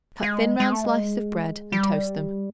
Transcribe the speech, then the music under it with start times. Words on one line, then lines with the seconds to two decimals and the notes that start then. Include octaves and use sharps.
Cut thin round slices of bread and toast them.
0.23 G#3
0.60 G#3
0.72 A3
0.85 G#3
1.72 G3